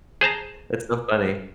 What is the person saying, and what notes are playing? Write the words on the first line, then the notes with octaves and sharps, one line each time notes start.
That's so funny.
G#4 C5 A5 A#5